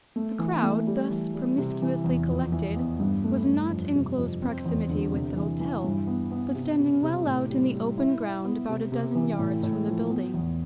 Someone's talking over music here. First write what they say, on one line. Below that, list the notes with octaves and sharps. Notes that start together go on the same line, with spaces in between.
The crowd, thus promiscuously collected, was not in close proximity with the hotel; but standing well out in the open ground, about a dozen yards from the building.
A3
E3
A3
G3
E3
G3
C3
E3
E2
F2
E3
B3
G2
A3
G2
F2
C3
F2
C4
E2
D3
C3
E3
E3
G2
B3
B3
C3
C3
C3
A2
G3
G3
E4
E4
B3
C3
C3
E3
A2
A2
F3
B3
E2